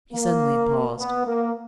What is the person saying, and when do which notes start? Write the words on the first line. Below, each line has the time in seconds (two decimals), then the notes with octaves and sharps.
He suddenly paused.
0.13 A#3
0.99 B3
1.26 A#3